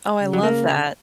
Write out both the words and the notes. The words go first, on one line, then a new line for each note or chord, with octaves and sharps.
Oh, I love that.
C#3
F#3
A#3